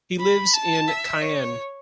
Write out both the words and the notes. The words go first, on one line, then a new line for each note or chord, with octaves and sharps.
He lives in Caen.
B5
A5
E5
C#5